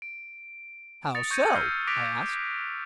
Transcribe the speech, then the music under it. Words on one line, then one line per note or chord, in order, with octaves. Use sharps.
"How so?" I asked.
D7
D#6 A6 A#6 C#7 F7
C#6 G6 G#6 A#6 C#7 D#7
E6 F6 G6 A#6 C7
D6 F#6 A#6 B6 D7 F7